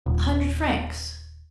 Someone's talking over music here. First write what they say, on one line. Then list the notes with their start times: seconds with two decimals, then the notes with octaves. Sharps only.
"A hundred francs."
0.06 D#1